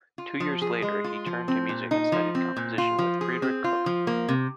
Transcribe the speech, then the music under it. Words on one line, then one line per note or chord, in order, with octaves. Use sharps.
Two years later, he turned to music and studied composition with Friedrich Koch.
F4
F3
G#4
G#3
F4
F3
C4
A#2
D#4
F3
C4
A#2
F4
F3
G#4
C4
F4
F3
A#3
C3